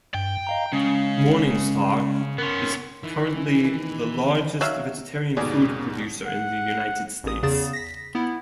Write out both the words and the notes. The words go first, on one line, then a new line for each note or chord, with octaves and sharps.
Morningstar is currently the largest vegetarian food producer in the United States.
G2 G5
D#5 F5 A#5
C#3 G#3 C#4
B3 C#4 A#4 C6
D#3 E3
F#3 E5 F5
D#2 G#2 B2 G#4 D5
F#5
A1 D#6
E2 C#3 G#4 A6 E7
A#6 B6
B3 E4